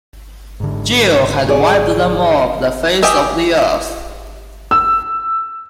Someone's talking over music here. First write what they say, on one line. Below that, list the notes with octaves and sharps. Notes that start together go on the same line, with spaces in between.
Gill had wiped them off the face of the earth.
G#2 D3
G#4 C#5 D5
G4 G#4 D#5 E5
E6